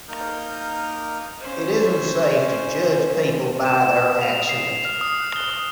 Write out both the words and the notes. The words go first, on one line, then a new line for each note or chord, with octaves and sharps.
It isn't safe to judge people by their accent.
A#3 D#4 A#4 D#6 F6 G6
C#4 C5
E7
E7
D#6
F7
C7
C7
F6
D#6
F#6
G7
D#6